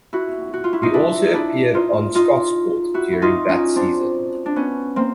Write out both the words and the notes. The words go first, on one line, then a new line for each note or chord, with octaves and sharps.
He also appeared on "Scotsport" during that season.
E4 F#4
F#4
F4
E4
D#4 F4
D4 E4
D#4
D4 E4
D#4 F4
D#4 F4
E4 F#4
E4
D#4 F4
C#4 D#4
C4 D4
D4
B3 C#4
A#3 C4